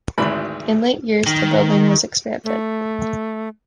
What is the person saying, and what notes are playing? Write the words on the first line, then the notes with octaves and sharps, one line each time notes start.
In later years, the building was expanded.
G#1 D2 G#2 E3 B5
D#3
A3